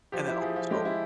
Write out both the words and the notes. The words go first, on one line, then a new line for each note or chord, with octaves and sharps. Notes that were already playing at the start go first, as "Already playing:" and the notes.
and then also
F3 G4
E4
F3 G#4
F3
G#3 G4
E4